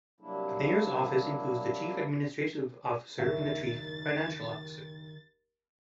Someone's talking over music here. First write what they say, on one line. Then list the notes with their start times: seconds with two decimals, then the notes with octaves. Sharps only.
The Mayor's office includes the Chief Administrative Officer and the Chief Financial Officer.
0.21 C3 F#3 G3 A#3 D4 E4
3.19 F#1 D#2 D#3 E5 A6